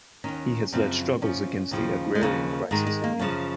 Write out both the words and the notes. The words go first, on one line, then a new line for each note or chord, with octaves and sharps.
He has led struggles against the agrarian crisis in India.
D#2 D#3 C#4
F#2 C#3 F3 C4
F#2 F3 C#4
D#2 C#3 F3
G#3
D#2 C#3 F3 A#3
G#2 D#3 G#3
G#3
A#3
F#2 C#3 F3 C#4